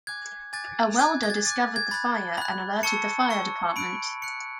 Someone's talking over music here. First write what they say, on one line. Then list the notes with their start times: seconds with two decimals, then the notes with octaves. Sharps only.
A welder discovered the fire, and alerted the fire department.
0.07 G#5 D6 F#6 G#6
0.53 G#5 D6 F#6 A6
0.99 G#5 D6 F#6 G#6
1.23 G#6
1.30 A6
1.45 G#5 D6 F#6 A6
1.76 G#6
1.91 B5 F#6 A6
2.37 B5 F#6
2.83 A5 C#6 E6 C#7
3.30 A5 C#6 E6
3.76 B5 F#6 D7
4.22 B5 F#6 C#7